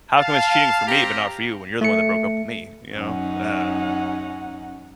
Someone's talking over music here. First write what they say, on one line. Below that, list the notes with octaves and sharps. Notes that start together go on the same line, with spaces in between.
How come it's cheating for me, but not for you when you're the one that broke up with me, you know? I don't know.
F5 A5
C4 G4 F5 A#5
A3 C#7
F#2 C#4 D#4 F#5